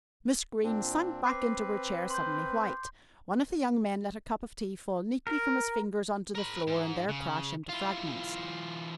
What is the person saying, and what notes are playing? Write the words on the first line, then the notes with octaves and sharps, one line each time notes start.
Miss Greene sank back into her chair, suddenly white. One of the young men let a cup of tea fall neatly from his fingers on to the floor and there crash into fragments.
A#2 C4 D4
C4 B4 D6 C7
C6 G6
A#4
A#4 B5
G#2
C#3
E3 F4